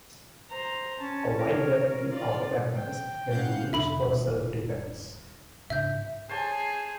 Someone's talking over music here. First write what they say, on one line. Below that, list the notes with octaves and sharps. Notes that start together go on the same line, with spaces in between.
A wide variety of weapons can be used for self-defense.
C5 A#5
C#4 A5
A#4 C#5
F4 D5
G5
C#3 E3 C#4 F5 F#5 G6
F2 C3 E5 B5 F#7
D#1
G#2 C#3 D4 E5 G6
G#4 C5 C#5 A5